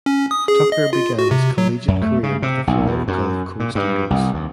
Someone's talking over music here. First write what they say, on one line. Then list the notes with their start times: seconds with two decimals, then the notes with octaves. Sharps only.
Tucker began his collegiate career with the Florida Gulf Coast Eagles.
0.06 C#4
0.31 D#6
0.48 G#4
0.72 D#5
0.93 F4
1.19 F#4
1.31 C3
1.58 F#3
1.88 F#2
2.02 A3
2.23 C#3
2.42 C3
2.67 B1
2.87 E2
3.08 F#2
3.60 A#2
3.75 G2
4.10 C2
4.34 D#2